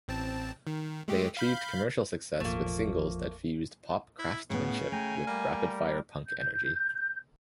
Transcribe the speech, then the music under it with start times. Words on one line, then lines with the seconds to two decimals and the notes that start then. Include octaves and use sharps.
They achieved commercial success with singles that fused pop craftsmanship with rapid-fire punk energy.
0.08 A1 C4 A5
0.67 D#3
1.08 G#3 A3 G4
1.37 F5 B5 G6
2.40 G#1 E2 A#2 F3 A3 A#3
4.19 E4
4.50 A2 C#3 B3
4.92 A3 G5 G#5 A#5
5.27 G3 A#3 A#4
6.27 G6